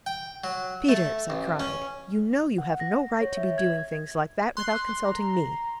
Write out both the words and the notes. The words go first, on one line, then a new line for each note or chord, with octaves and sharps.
'Peters,' I cried, 'you know you have no right to be doing things like that without consulting me!
G5
F#3
A3
A1
C#4
F#5
A#6
C#5
E5
G#6
C6 F#6
A#5